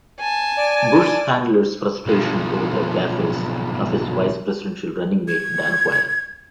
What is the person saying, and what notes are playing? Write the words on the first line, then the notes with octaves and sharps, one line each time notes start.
Bush's handlers' frustration over the gaffes of his vice presidential running-mate Dan Quayle.
G#5 A5
D5
B1 F3
G#6